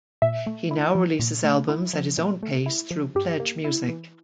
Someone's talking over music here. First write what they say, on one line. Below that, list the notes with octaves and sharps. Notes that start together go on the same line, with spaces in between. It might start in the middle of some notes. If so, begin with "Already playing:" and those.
He now releases albums at his own pace through PledgeMusic.
A#2 E5
A3
E4
F3
A#2
A3
E4
F3
A#2
A3
E4
F3
G2 G4
A#3
E4
E3